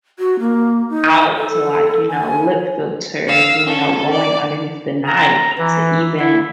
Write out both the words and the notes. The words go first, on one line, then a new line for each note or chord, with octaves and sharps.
out to, like, you know, lip filters and, you know, going underneath the knife to even
F#4
A#3
D#4
A4
G#5
F5 E6
C#4 A4
D5
A#5
E3
E4